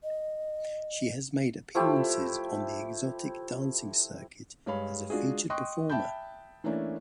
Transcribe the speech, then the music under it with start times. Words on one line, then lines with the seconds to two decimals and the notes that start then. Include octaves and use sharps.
She has made appearances on the exotic dancing circuit as a featured performer.
0.03 D#5
1.75 F3 A3 E4 G4
4.66 G2 G#3 C#5 F5 B5
5.10 G#3 D4 F4 F#4 G#4
5.50 D#5 G5 C6 C#6 D#6 F#6
5.90 E5 G5 A5 B5 G6
6.64 E3 A3 A#3 C#4 D4 E4